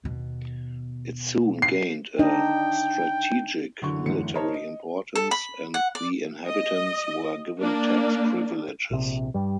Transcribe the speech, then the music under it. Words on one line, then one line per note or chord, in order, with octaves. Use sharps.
It soon gained a strategic military importance and the inhabitants were given tax privileges.
D#2 B2
C7
D4 D#4 D#5 G5
F#1 D3 E3 F#4 C#6
F#1 E2 A2 D3 C#7
D#4 A#4 C5 C#5 A5 A#5
D#5
A4
B5
F#5
D5
D#5
A#3 D4
A#1 C3
G2 G3